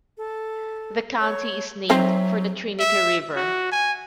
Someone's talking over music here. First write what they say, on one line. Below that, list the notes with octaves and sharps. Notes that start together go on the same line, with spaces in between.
The county is named for the Trinity River.
A4
C#5
F#3 C4 D#4 C5 E5
E5
F#4
G#5